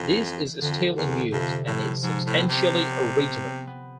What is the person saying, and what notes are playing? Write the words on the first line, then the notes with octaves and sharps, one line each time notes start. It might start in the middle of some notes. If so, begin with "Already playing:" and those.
This is still in use and is substantially original.
Already playing: F2 E3
F2 D3
E2
F2 C3
A2 F3
G#2 F3
A2
B3 C4
C3
B3
C4
B3